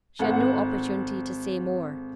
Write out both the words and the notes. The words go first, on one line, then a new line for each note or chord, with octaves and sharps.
She had no opportunity to say more.
G#1 A4 F#5